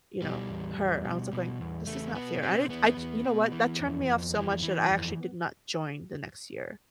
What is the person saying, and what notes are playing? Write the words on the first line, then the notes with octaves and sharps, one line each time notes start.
you know, her, I was, like, going, "This is not fair." I did I j you know what? That turned me off so much that I actually did not join the next year.
B2 G3
E2
E2
B2
B2
E2
E2 A3
B2 B3
B2 C4
E2 B3
E2
B2
E3
F2
F2
E3
E3
F2